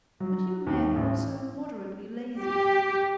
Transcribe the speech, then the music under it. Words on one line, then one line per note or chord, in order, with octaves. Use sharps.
But you men are all so immoderately lazy!
F#3
D#2
A1
G4